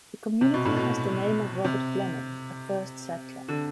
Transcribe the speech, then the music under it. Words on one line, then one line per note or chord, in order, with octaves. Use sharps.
The community has the name of Robert Fleming, a first settler.
C3
B2
A2
B2
C3
D3